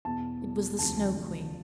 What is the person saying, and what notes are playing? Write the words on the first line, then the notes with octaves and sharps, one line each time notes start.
It was the Snow Queen.
E2 B2 A5
E2 B2
D2 C3 F3 A5
A5
D2 C3 F3